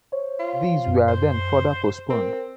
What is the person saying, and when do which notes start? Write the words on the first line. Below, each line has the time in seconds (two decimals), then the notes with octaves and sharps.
These were then further postponed.
0.12 C5 C#5
0.39 F4
0.87 F#2
1.08 C5
2.10 C4 A#4